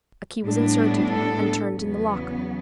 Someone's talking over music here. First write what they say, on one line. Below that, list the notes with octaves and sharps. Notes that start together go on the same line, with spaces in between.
A key was inserted and turned in the lock.
A2 G3 B3 D4
A4
E2 C#3 F#3 B3